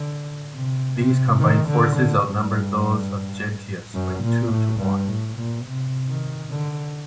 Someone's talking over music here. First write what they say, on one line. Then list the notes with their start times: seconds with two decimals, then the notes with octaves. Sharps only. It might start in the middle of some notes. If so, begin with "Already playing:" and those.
These combined forces outnumbered those of Gentius by two to one.
Already playing: D3
0.54 C3
0.97 C3
1.39 D#3
1.68 D3
1.96 D3
2.24 G2
3.95 F#2
4.23 A#2
4.52 A2
4.80 G2
5.09 A2
5.37 A#2
5.66 C3
6.08 D#3
6.51 D3